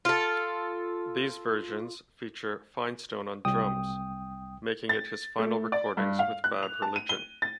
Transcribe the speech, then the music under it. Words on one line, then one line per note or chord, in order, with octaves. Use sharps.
These versions feature Finestone on drums, making it his final recordings with Bad Religion.
F4 A4
C2 G5 D#6
A6
A3
D5
G2
F5
F#6
F7
A5
D#7
G7
A6